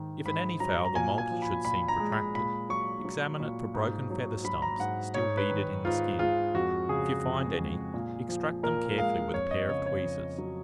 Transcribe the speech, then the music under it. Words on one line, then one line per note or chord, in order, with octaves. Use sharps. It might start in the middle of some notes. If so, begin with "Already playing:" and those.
If in any fowl the moult should seem protracted, examine it for broken feather-stumps still beaded in the skin: if you find any, extract them carefully with a pair of tweezers.
Already playing: G#2 D#3
G#2 B5
F#3 A#5
A#5
A#2 G#5
G#5
F3
B5
A#2 B5
A#5
G#3
B5
A#2 B5
F#3 C#6
F#3
A#2
G#2
F#3
F#3 B5
A#5
G#2 F#5
G#2 C#5
B4
D#3
G#2 F4
G#3 F4
F2 F#4
C#3 G#4
F2
G#3
A#2
F3
A#2 A#4
G#3 F5
F2 C#5
D#5
C#3 C#5
C#5
F2
F#3